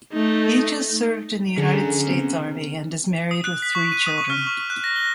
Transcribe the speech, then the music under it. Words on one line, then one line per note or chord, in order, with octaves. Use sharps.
Each has served in the United States Army and is married with three children.
A3 D#4
D3 C#4 G#4 A#5
C#3 B3 C4
D#6
F#6
B6
C#6
D#7
D#6
C#6
F6
C#6
F#6
A#6
G7